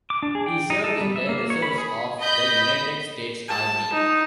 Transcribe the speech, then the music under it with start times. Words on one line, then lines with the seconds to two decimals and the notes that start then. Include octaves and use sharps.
He served in the reserves of the United States Army.
0.10 D6
0.23 D4
0.35 G#4
0.46 G5
0.70 D#4
0.84 A4
1.01 G3
1.16 E5
1.29 A#3
1.50 C#5
1.62 B5
1.78 G#4
2.18 D#5 B5 G6 B6
3.48 A5
3.93 D#4